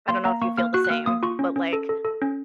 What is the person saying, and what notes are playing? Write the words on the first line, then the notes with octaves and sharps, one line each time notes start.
I don't know if you feel the same, but, like,
A#3 C6
A#3 A#5
A#3 C#6
A#3 F6
F#4 F#6
F#6
A#3 F6
A#3 D#6
F4 C#6
C#4
C#4
A4
A4
A4
C#4